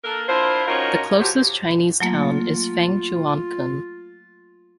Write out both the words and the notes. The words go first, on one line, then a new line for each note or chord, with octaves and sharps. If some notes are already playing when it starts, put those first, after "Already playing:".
The closest Chinese town is Fangchuancun.
A#3 D4 A4 A#4
D4 E4 F4 A#4 C5
C#4 D#4 F4 F#4 A#4 C#5
F3 F#3 G4
F#3 A3 A#3 F4